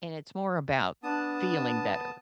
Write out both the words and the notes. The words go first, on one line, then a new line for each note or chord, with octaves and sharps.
And it's more about feeling better.
B3 D4 A5 D#6